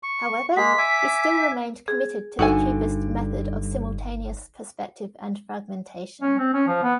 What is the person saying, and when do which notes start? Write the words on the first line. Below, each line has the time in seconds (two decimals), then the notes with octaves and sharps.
However, he still remained committed to the cubist method of simultaneous perspective and fragmentation.
0.03 C#6
0.57 G#3 A#3 G#4 B6
0.78 E5 G#5 D6
1.88 G#4
2.39 G1 G2 D3 D#4 F#4 A4 G#5
6.22 C#4
6.39 C4
6.53 C#4
6.67 F3
6.83 B3